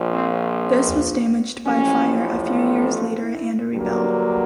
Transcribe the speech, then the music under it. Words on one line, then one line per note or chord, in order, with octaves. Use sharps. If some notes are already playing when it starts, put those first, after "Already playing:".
This was damaged by fire a few years later and rebuilt.
Already playing: A#1 A#2 F3
C4
C4
A1 A2 F3 C#4
E4
G2 D3 F#3 A#3